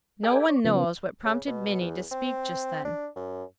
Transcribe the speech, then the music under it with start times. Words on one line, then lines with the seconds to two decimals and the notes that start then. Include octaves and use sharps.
No one knows what prompted Minnie to speak just then.
0.23 G#4 A#4 D5 E5 G5 G#5
0.49 C#5 D5
0.65 C#3 F3 B3
1.25 C#3
1.47 B2
1.81 E2
2.11 C4
2.85 D4
3.16 F#2